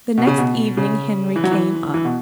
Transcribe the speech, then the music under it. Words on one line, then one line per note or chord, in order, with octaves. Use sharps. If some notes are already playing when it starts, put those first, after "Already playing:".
The next evening Henry came up.
B2
C#3
B2
C#3
E3
F#3
E3
E3
B2